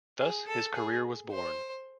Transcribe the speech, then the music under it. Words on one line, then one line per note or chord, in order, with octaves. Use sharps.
Thus, his career was born.
G#4
A4
G#4
C5